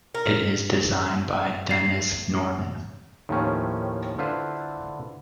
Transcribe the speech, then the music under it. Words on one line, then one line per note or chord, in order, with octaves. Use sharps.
It is designed by Dennis Nordman.
A#4
C7
D#2 A2 D#3 F3 A3 C#4
D3 E4 F4 B4 C5